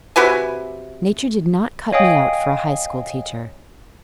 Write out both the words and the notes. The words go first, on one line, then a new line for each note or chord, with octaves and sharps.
Nature did not cut me out for a high-school teacher.
C3 F#4 B4 G#5
C#5 D#5 F5 G5 G#5 D#6